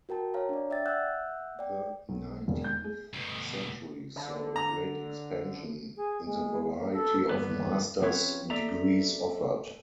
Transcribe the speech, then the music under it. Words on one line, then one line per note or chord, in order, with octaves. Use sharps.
The nineteenth century saw a great expansion in the variety of master's degrees offered.
F#4 A#4 G5 A5
C#5 F5 A#5
D4 D5
D5 E5 G5 A6
E5 F#5 E6 F#6 G6
D5 G5
B1
E1
G6
G#4
D2 B2
D3
A#5
G#4
G#3
A#3
A4
E2 G2 D3 B3 B4
F3 C4 C#4 B4 C#5
A4 D5 E5 A#5